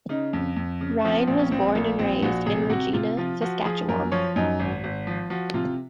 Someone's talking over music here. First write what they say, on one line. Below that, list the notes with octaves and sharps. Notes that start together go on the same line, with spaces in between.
Ryan was born and raised in Regina, Saskatchewan.
C#3 D#4
F2
F2
C#3
F3 C4
A#1 C4
C#4
A#1 C4
A#1 A#3
A#1 C4
A#1 F#4
C3 G#4
C3 F#4
C3 F4
F3 F4
F3 F#4
F3 G#4
F#2 A#4
F3 C#5
F#2 D#4
G#1
G#1
F3
F3 F#4
C3 F4